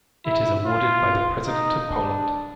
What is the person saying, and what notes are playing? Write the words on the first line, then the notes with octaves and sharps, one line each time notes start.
It is awarded by the President of Poland.
E4
F4
D#4
D4